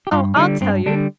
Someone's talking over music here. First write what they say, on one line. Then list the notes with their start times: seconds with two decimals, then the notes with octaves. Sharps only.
Oh, I'll tell you!
0.07 G4
0.12 G2 F4
0.36 D3 G3 D#4
0.61 G2 C4
0.86 D3 G3 D4